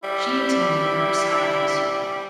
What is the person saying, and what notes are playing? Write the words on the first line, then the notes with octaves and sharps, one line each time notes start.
She attended Riverside High School.
G3 E4